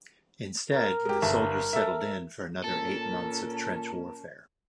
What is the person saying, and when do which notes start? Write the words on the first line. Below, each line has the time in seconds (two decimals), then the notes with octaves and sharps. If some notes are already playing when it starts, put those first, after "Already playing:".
Instead, the soldiers settled in for another eight months of trench warfare.
0.70 A#4
1.05 G#3 G4
1.22 G1 E5 A5
1.73 A4 E5
2.64 A#2 C#4 A4 A#4 A5